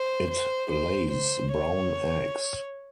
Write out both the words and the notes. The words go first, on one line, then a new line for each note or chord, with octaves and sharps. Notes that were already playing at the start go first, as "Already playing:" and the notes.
It lays brown eggs.
Already playing: C5
C5
C5
C5
C#5